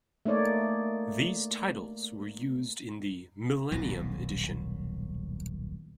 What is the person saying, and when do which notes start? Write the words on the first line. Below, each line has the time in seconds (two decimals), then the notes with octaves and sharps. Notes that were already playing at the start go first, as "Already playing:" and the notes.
These titles were used in the "Millennium edition".
0.25 A3 A#3 D#4 C#5 D5
3.71 D#1 B1 A2